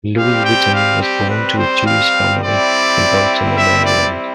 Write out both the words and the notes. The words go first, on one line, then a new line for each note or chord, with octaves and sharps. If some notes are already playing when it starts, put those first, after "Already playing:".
Louis Witten was born to a Jewish family in Baltimore, Maryland.
G3 C4 G4 F5
G5
F5
G4
B4
C5
F5
G3 C4 E4 D5
E5
D5